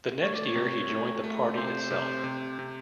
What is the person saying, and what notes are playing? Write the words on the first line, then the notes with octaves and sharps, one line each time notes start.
The next year he joined the party itself.
A3 C#5
D5
C#5
C3
A3
A3
C3 C5
C3
C3
C3